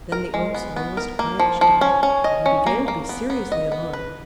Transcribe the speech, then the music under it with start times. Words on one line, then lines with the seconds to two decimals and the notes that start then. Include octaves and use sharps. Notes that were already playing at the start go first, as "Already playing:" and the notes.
Then the Oak's lowest branch died, and he began to be seriously alarmed.
0.12 A#4
0.34 G#3
0.54 B3
0.76 B3
0.97 A#4
1.19 A#3
1.40 F3
1.61 F3
1.81 C#4
2.03 C#4
2.24 D#5
2.46 C#4
2.66 A#3
2.88 A#3
3.09 B3
3.30 B3
3.52 D#5
3.72 B3
3.93 B4